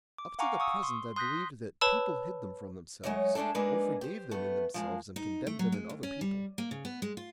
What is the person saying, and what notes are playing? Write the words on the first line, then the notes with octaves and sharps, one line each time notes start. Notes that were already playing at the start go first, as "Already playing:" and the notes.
Up to the present I believed that people hid them from themselves or forgave them in themselves and condemned them in other people.
D6
F5 F#5 G#5 A#5 C#6 D6
C#6 D#6 E6
C6
C6 D#6 F#6 G6 A#6 B6
B4 C#5 A5 B5 E6
F#3 G#3 A3 C#5 D#5
G#3 A3 D4 G#4 A4
G#3 A#3 D4 D#4 G#4 B4
G4 C5
A3 B3
F3 G#3 A#3
D#4
A3
F#3
G#3
D2
C#4
G3
A#3
C#3
B3
G#3
F4